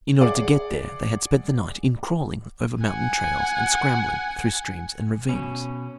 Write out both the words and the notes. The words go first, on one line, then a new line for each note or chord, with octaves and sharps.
In order to get there they had spent the night in crawling over mountain trails and scrambling through streams and ravines.
G#4 D5 F#5
F#5 G#5
B2 C#4